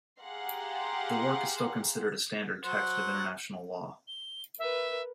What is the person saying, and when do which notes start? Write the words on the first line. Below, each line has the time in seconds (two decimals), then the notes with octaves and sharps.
The work is still considered a standard text of international Law.
0.20 G4 G#4 F5 F#5 A#5 C6
2.65 F#3 C5 F#5
4.08 G7
4.59 A#4 B4 E5